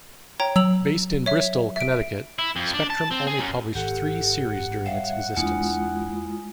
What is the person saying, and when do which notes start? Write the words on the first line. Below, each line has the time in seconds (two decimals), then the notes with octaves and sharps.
Based in Bristol, Connecticut, Spectrum only published three series during its existence.
0.40 C#5 G5 A#5
0.56 F#3 E6 F7 F#7
1.26 C#5 E5
1.76 E5 D7
2.39 E4
2.56 F2
2.74 D4
2.90 A5
3.11 C4
3.27 G#4
3.39 F#2
3.75 G#1 G4 A4 F#5
4.86 G3 C#5 E5 F5
5.37 E2 G#3 A#3 D4 E4 F4 D#6